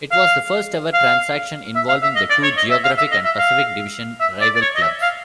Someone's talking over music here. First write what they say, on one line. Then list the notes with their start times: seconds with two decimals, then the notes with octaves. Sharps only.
It was the first-ever transaction involving the two geographic- and Pacific Division-rival clubs.
0.12 F5
0.93 F5
1.75 E5
1.89 F5
2.02 E5
2.15 D#5
2.30 D5
2.43 C#5
2.57 D#5
2.70 E5
2.84 F5
2.97 E5
3.11 D#5
3.25 E5
3.38 F5
4.20 E5
4.41 D5
4.55 D5
4.62 C#5
4.76 D#5
4.82 E5
5.02 F5